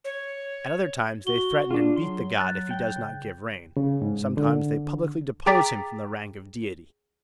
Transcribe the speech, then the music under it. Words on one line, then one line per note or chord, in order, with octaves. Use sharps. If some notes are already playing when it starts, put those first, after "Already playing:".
At other times they threaten and beat the god if he does not give rain; sometimes they publicly depose him from the rank of deity.
C#5
F#4 G7
D4 F4 G#4
F#3 C6
F#3 F#6 A6
G5
C#3
C#3
G#2
D3
G#4 G5 A#5 D6 A6 B6